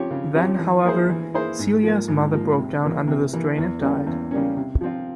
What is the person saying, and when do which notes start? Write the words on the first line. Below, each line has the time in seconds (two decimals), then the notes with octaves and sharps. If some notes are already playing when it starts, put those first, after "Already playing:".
Then, however, Celia's mother broke down under the strain and died.
Already playing: C#3 F3 C4 G4 C#5
0.11 C#3
0.34 F3 C4 G4 C#5
0.59 E3
0.84 A#3 E4 G#4 C5
1.09 E3
1.34 A#3 E4 G#4 C5
1.59 G#2
1.83 F3 A#3
2.08 G#2
2.33 F3 A#3
2.58 C3
2.83 E3 A#3
3.07 C3
3.33 E3 A#3
3.57 E2
3.82 C#3 G3 A#3 C#4
4.07 E2
4.31 C#3 G3 A#3 C#4
4.57 C3
4.81 F3 C4 F4